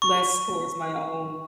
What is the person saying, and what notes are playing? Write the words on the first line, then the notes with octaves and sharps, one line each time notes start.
less towards my own
C#6